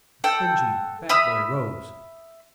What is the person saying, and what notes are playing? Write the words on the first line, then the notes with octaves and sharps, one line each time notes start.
The cringing fat boy rose.
A4 F#5 G5
E5 B5 D#6 F6